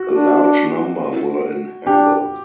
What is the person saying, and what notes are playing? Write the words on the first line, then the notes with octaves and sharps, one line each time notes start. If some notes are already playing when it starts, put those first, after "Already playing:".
A large number were in Hamburg.
Already playing: F#4
D4
D4 G4